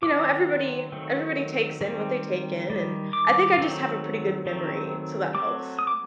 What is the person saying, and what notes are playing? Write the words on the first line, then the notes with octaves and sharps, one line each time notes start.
you know, everybody everybody takes in what they take in, and I think I just have a pretty good memory, so that helps.
D#3 F#3 C4 D6
D#3 F#3 A3 C4
D#3 G3 C4
D#3 G3
D6
D#3 F#3 A3 C4
D#3 F#3 A3 C4
F#3 A3 C4 D6
D#6
D6